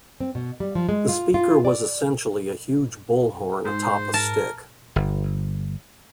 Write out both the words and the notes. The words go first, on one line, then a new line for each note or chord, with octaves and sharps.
The speaker was essentially a huge bullhorn atop a stick.
C4
B2
G3
F3
G#3
F4
F4
D5
G#2 C5
A#4 A5
G1